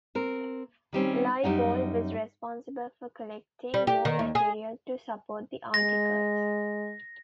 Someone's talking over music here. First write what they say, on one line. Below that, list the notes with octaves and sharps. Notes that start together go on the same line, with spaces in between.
Liebold was responsible for collecting more material to support the articles.
C4 A#4
D#3 G3 C4 C#4
F#2 G3 D#4 F#5
G3
G4
D#3
D#2
G#4
G#3 A#6